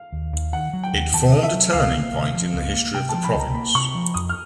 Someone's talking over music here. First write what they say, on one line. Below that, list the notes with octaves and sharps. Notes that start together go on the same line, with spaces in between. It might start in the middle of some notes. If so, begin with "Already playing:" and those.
It formed a turning point in the history of the province.
Already playing: F5
D#2
D#2
D#3 F#5
F#3
G5
D#2
D#2 A5
D#3
E5
F#3
C#2 F5
A#3
C3
F3
C#2
A#3
C3 G5
F3 A5
B5
C#2
A#5
A#3 B5
C3 C#6
F3
F2 D#6
F6